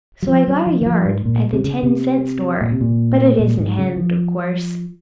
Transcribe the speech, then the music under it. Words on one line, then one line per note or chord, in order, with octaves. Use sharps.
"So I got a yard at the ten-cent store--but it isn't hemmed, of course."
F#3
F3
F#3
F3
D#3
F3
G#2
A#2
C3
C#3
C3
A#2
C3
A#2
A#2
G#2
C#3
F3